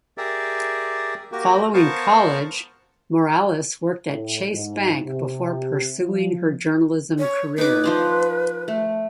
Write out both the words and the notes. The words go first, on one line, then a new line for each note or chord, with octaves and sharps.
Following college, Morales worked at Chase Bank before pursuing her journalism career.
G4 G#4 A#4 D5 E5
A#3 F#4 G4 A#4
B3 A#4 C5 F5 A5 C#6
A2
G#2
C3
F3
C#5
D#4 B4 D6
F3 C5 D5
A3